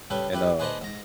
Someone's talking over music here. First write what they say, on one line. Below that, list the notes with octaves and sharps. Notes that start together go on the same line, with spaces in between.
and, um,
C#3 G3 A4 B4 G5
E4 G4 B4
G#4 B4 C5 D5 D#5 A5
G#2 A#5